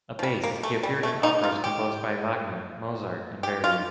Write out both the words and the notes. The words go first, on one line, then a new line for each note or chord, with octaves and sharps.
A bass, he appeared in operas composed by Wagner, Mozart and Verdi.
F3
G3
A#3
A3
G3
A3
D#4
F4
G4
G4
F4